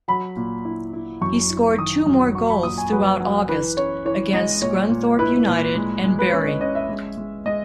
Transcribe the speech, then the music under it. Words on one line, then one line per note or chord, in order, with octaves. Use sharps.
He scored two more goals throughout August against Scunthorpe United and Bury.
F#3 B5
A#2
E4
E4
F#2 C#6
E4
D#3 D#6
F#2
F#3 C#6
B5
A#2 D#6
G#5
F#3 B4
F#3
E3 B4
C#4 C#5
E3 C#5
G#3 D#5
A#2 C#5
A#2
E4 B4
A#2
G#3
G#3
B4
C#4 C#5
D#5
C#4 D#5
E5
G#3
G#3
G#3 D#5